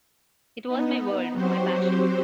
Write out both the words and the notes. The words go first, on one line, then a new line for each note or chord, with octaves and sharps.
It was my world, my passion.
B3 D#4
F#3 C4 F#4 G4 C5